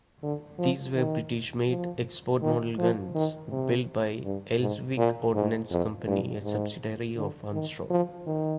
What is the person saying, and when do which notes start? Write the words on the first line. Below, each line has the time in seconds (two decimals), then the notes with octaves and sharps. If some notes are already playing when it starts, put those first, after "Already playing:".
These were British-made export-model guns built by Elswick Ordnance Company, a subsidiary of Armstrong.
0.23 D3
0.59 F3
0.96 D#3
1.69 F3
2.42 D#3
2.79 F3
3.15 D#3
3.52 C3
4.25 G2
4.61 G#2
4.98 A#2
5.34 G#2
5.71 F2
6.07 G2
6.44 G#2
7.17 D3
7.53 D#3
7.90 F3
8.27 D#3